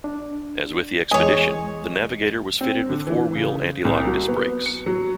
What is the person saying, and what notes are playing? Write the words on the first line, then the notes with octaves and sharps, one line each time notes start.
As with the Expedition, the Navigator was fitted with four-wheel anti-lock disc brakes.
D4
E2 G#3 G#4 C#5 D#5
C4
D3
E3
C#3
C2
F#3
B3
C#7
F#3